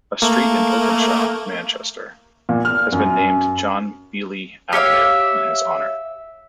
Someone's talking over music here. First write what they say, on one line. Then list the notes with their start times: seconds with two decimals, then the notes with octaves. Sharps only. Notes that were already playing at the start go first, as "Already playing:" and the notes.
A street in Openshaw, Manchester, has been named "John Beeley Avenue" in his honour.
0.22 A3 A#3
2.49 A#2
2.65 F6
2.92 F#2
4.73 G4 C#5 E5 F5